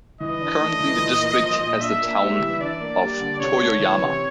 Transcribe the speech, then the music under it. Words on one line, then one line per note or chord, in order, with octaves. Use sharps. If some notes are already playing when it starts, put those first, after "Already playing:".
Currently the district has the town of Toyoyama.
E3 D#5
D4
A3
E3
A#2
A#3
F3
A#2
D4 E5
A#3
G3
E3
D4 D5
A#3
G3
D3
C3 C#5
A3
E3
C3